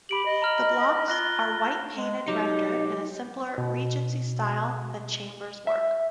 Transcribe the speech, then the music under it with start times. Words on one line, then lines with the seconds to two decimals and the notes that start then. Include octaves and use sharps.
The blocks are white painted render in a simpler Regency style than Chambers' work.
0.09 G4 B5 D7 F#7
0.25 D#5
0.42 A#5 F6 F#7
1.08 F4 F#6 A#6 G7
1.97 G#3
2.28 F#3 D#4 G4
3.58 B2
5.67 E5